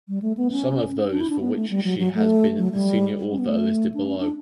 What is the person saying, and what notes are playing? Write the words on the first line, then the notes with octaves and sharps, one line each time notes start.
Some of those for which she has been the senior author are listed below.
G3
A3
B3
C#4
D4
E4
D4
B3
A3
G3
F#3
F#3
A3
F#3
G3
C#4
B3
A3
D4
C#4
D4